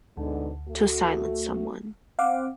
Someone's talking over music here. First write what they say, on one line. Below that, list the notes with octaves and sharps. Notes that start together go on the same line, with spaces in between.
To silence someone.
D2 G#2 B2 D3
A3 F#4
C4 F5 F#5 D6